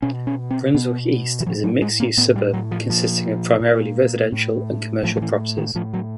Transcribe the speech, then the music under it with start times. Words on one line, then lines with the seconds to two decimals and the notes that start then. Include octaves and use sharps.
Brunswick East is a mixed-use suburb, consisting of primarily residential and commercial properties.
0.02 B2 C#4
0.27 C#4
0.51 C4
0.74 B2 B3
1.40 E3
1.46 A2 F3
1.64 F#3
1.82 G#3
2.00 A#3
2.17 A2 B3
2.36 G3
2.53 F#3
2.71 F3
2.89 A#2 F3
3.61 A#2
4.32 A2
5.03 A2 F3
5.16 F3
5.22 E3
5.57 D#3
5.75 A2 F3
5.93 F#3